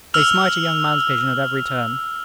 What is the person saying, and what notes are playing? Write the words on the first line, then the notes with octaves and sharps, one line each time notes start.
They smite a young man's vision at every turn.
E6 F6 F7